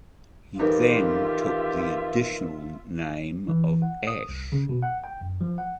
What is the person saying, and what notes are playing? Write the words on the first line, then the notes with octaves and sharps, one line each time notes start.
He then took the additional name of Ashe.
F2 D#3 E3 D#4 F4 G4 E5
E3
F#5
D#6
C2
C#3
B2
F#5
G5
F#2
F3
F#5